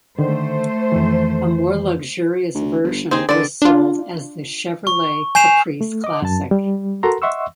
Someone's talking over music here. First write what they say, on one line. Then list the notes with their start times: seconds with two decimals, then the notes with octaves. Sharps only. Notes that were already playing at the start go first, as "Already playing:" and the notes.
A more luxurious version was sold as the Chevrolet Caprice Classic.
0.19 D3 D#3 A3 C5
0.92 F2 D#3 E3
2.54 D2
2.84 G1
3.11 D#2 C4 D#4 G#4
3.29 D3 D#3 C4 D5
3.62 D4 F4
4.87 C#6
5.35 G#5 G6 C7 E7 F7
5.81 A3
6.04 D#5 D6
6.22 F#2 A5
6.51 G3
7.03 F#4 A4 A#4 F#5 A#5 C6
7.22 D#5 E5 F#5 C6 C#6 E6